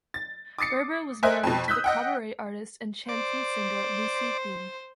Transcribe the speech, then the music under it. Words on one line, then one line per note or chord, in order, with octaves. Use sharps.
Berber was married to the cabaret artist and chanson singer Lucie Thiem.
A6
D6 D#6 A6 C7 C#7
A#4 C5 D#5 E5 G#5 F#6
F2 B2
D#6 E6 F#6 G6 B6
D#5 F#5 G5
C5 D5